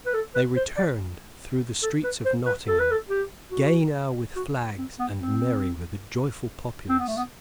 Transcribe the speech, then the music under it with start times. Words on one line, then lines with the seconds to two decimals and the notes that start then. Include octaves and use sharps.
They returned through the streets of Nottingham, gay now with flags and merry with a joyful populace.
0.06 B4
0.14 A4
0.35 B4
0.56 C5
0.77 D5
1.83 A4
2.04 B4
2.25 C5
2.46 B4
2.67 A4
2.79 B4
2.91 A4
3.09 G4
3.51 F#4
4.36 F#4
4.78 C4
4.99 B3
5.20 C4
6.89 C4
6.99 B3
7.08 A3
7.17 B3